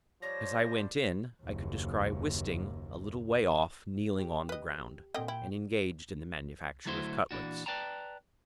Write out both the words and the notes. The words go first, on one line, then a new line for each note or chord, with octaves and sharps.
As I went in, I could descry Wisting a little way off kneeling on the ground, and engaged in the manufacture of cutlets.
F3 G3 C5 C#5 A#6
F#1 D#2
G4
B4 D#5
A#2 D3 C4 D#5 G5
E4 G5
D3 F#3 A3 E4 F#4 C5
A#2 E3 D4 F#4
B4 D5 G5 A5 A#5